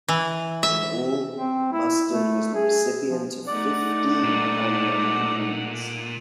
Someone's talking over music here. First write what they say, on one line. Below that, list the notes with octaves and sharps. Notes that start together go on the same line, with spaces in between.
In all, Mustard was the recipient of fifteen honorary degrees.
E3
E5
C4
E4
A3
G#4
F3
A3 D#4 D5 F#5
A#2